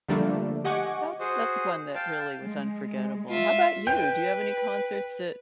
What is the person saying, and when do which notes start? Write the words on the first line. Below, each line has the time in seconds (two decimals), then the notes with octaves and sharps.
that's that's one that really was unforgettable. How 'bout you? Do you have any concerts that
0.08 D3 F3 G3 A3 A#3 D4
0.64 G4 D#5 F#5 G#5 C#6 D6
1.20 F#4 G#4 C5
1.95 F5 G5 A5
2.42 G#3
3.29 F4 E5
3.87 B4 G5 G6